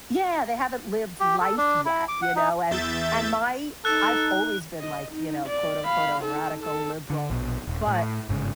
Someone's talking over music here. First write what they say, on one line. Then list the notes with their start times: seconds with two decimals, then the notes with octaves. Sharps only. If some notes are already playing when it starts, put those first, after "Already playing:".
Yeah, they haven't lived life yet, you know, and and my I've always been, like, you know, quote, unquote a "radical liberal," but
1.20 G4
1.41 A4
1.57 D4
1.85 E4
2.08 D6
2.22 F#5
2.36 D#4
2.71 E2 E5 G6 A6
3.85 D#4 A4 F#6
4.81 D#5
5.12 D#4
5.47 D5
5.84 F5 B5
6.22 D#4 A4
6.63 A4
7.10 D3
7.30 A#1 B2
7.67 D#1
7.87 A2
8.29 G1 G#2 C#3